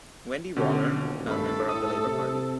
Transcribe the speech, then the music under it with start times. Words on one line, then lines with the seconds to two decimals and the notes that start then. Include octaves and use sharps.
Wendy Waller, a member of the Labor Party.
0.56 B2 D3 C#4 G4
0.97 D#1
1.27 G2 A4 B5
1.69 A2 D#6
2.05 C3